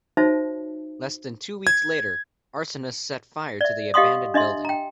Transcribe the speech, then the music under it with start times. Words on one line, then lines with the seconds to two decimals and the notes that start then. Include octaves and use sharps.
Less than two weeks later, arsonists set fire to the abandoned building.
0.17 D#4 F#4 C5 C#5 E5 A5
1.67 G#6
3.61 D5 E5
3.94 G4 D#5 F5 F#5 C6 D#6
4.34 D4 D#5 E5 C6
4.65 G5 A#5